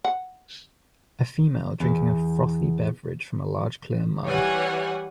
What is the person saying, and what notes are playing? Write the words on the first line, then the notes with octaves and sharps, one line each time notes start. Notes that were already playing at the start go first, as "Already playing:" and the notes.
A female drinking a frothy beverage from a large clear mug.
F#5
E2
E3 G3 C#5 F#5 G#5